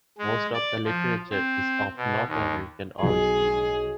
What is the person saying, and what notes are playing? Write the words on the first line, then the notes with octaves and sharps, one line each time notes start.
Most of the literature is of North American origin.
G#3
D5
F3
C4
B2
D#2
B1 G#4